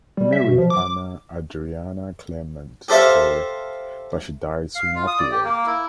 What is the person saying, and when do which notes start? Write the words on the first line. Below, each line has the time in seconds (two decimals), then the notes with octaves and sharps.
He married Anna Adriana Clement there, but she died soon afterward.
0.17 G3
0.33 E5
0.45 B2
0.58 F3
0.70 D6
2.88 G4 A4 C5 E5 F5
4.75 F5
4.95 F4
5.07 D#6
5.19 D5
5.31 G4
5.44 A#3
5.66 E4